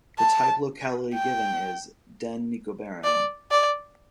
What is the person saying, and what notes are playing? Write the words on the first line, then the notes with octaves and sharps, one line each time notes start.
The type locality given is "den Nikobaren".
A5
G5
D5
D5